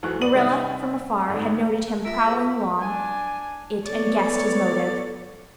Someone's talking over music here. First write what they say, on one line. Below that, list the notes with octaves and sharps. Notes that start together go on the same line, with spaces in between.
Marilla from afar had noted him prowling along it and guessed his motive.
D2 E3 F#3 A3 C#6 F#6
D5 D#7 F#7
C3 G3 D#4 E5
G#1 G#2 D3
A#4
F4 E5 A#5 E6
G#4 A4 C5
D4 G#5
B3 A4 C#5 D5